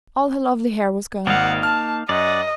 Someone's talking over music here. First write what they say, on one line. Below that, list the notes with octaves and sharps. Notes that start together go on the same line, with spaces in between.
All her lovely hair was gone!
G#1 A#3 D#4 F5 F#5
A5 F6
F#2 D5 D#5 F#5